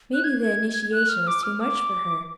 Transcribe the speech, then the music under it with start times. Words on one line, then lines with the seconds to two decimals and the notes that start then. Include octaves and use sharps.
"Maybe the initiation was too much for her."
0.14 F#6
0.24 G#6
0.92 F#6
1.09 F6
1.27 D6
1.44 F6
1.60 D6